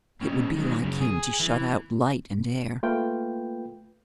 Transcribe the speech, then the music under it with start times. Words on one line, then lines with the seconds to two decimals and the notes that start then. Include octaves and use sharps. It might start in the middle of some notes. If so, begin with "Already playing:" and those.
It would be like him to shut out light and air.
0.21 A2 C#3
0.55 D#3 F#3
0.82 F#2 C#3
1.01 G#4
1.40 E3
2.83 A3 A#3 F4 B4 G5